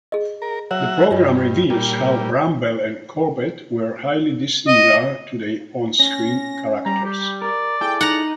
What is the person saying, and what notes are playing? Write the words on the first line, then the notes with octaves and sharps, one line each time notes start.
The programme reveals how Brambell and Corbett were highly dissimilar to their on-screen characters.
G#4 D#5
A#4
F#3 C#5 E5 F#5
G2 F4 C#5 D#5
A#2 G3
D#5
C#4 A#6
G3 A#5
G4
A#4 D5
E4 G#4 A4 G5
D#4 F#5 A#5